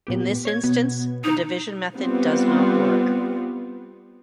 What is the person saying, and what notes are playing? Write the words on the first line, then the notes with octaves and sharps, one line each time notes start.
In this instance, the division method does not work.
A#2 B3 G4
C#5 G#6
B2 B3
D#4 D#6
G3 B3 C4 F4